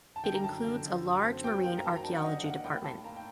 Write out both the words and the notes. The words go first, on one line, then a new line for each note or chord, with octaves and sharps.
It includes a large marine archaeology department.
A5
D3 G5
A#5
F#2 A5
D3
F#2
F#2
C4
F#3 G5
A#3 G5
A#5
F#3 A5
A#5
D4 A5
F#5
D4 D#5
A#3 F#5
A2 G5
A#3 A5
A#3 A#5
G5